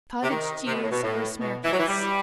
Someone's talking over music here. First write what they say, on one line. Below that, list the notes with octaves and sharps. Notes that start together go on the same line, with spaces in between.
Cottage Cheese or Smearcase.
C3
D#3
C3
B2
A2
B2
A2
B2
E3
F#3
E3
G3